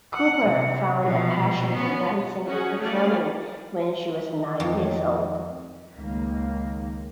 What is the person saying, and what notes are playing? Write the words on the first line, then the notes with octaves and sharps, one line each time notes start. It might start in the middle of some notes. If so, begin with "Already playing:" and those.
Cooper found a passion for dancing and performing when she was nine years old.
F#5
C3
B2 F3
B3 C#4
C#4 F#4 G#4
A3 C#4 D5 F5
D#3
F2
C#2 D#3 A#3